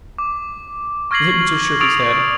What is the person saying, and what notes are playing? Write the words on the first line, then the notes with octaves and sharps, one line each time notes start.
The hypnotist shook his head.
D6
C#6 F6 G#6 A#6 C7 F#7
C#6 D#6 E6 A6 D7 F7